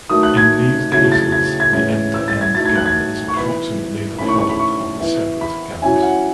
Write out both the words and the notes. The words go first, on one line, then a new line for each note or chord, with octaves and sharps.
In these cases the end-to-end gamma is approximately the product of the separate gammas.
D#3 F#3 A3 D#4 D#6
F#6
G#6
C#3 F#3 A3 C#4 E4 G#6
A6
G#6
G#6
A2 E3 G#3 C#4 E4 G#6
E6
A6
G#6
F#3 A3 D#4 A6
G#6
F#6
G#6
C#6
E3 B3 E4 B5
D#3 A3 C#4 E4 B5
C#6
C#6
B5
C#6
E3 B3 E4
B5
F#3 C#4 E4 G#5
F#5